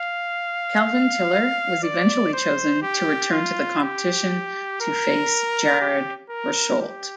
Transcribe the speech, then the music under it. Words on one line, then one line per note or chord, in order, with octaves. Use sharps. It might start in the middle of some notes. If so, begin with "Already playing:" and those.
Kelvin Tiller was eventually chosen to return to the competition to face Jared Rosholt.
Already playing: F5
D5
C5
G4
F4
G4
A#4
G4
A#4
G4